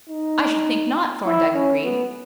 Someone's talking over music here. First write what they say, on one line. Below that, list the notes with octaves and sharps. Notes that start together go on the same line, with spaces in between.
"I should think not," Thorndyke agreed.
D#4
E4
C#4
B3